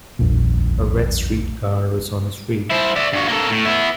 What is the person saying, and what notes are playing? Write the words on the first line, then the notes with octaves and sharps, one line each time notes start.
A red streetcar is on the street.
D#1 A#1 F2
E4 C5
D5 E5
G2 F#4
A#3 A4
A2
B3 E4